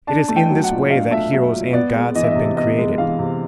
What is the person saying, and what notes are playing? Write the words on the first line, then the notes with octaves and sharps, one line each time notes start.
It is in this way that heroes and gods have been created.
D4 A5
A3
G5
F#3
F#5
A#2
D4 F5
A3 E5
F#3 E5
A#2
B3 D5
G#3
E3 D#5
E5
C3 D#5
B3 D#5
G#3
E3 F5
C3